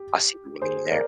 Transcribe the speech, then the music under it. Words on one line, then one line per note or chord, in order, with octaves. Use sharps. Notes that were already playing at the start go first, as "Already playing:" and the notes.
I see what you mean there.
Already playing: G4
G#4 C5
A#4 D5